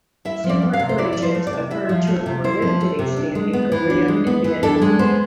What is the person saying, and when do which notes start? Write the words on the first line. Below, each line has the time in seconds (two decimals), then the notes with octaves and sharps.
Similar coinages occurred to a more limited extent in Korea and Vietnam.
0.25 E4 E5
0.44 F3
0.49 D5
0.62 A3
0.73 F5
0.80 C3
0.89 C5
0.98 E4 D5
1.13 F3 D5
1.23 C5
1.35 A3
1.47 D5
1.53 C3
1.71 E4 E5
1.89 F3
2.07 A3
2.26 C3
2.44 E4 C5
2.62 F3
2.81 A3
2.99 C3
3.17 D4
3.35 G#3
3.53 B3
3.72 E3
3.90 D4
4.08 G#3
4.27 B3
4.44 E3
4.63 D4 A4
4.82 G#3
4.99 B3 C5